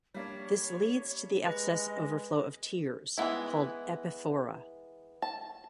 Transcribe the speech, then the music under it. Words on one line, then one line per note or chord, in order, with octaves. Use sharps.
This leads to the excess overflow of tears called "epiphora".
G3 A#3 D4 C#5
G#3 B4 D#5
E3 G#3 B3 E4
A5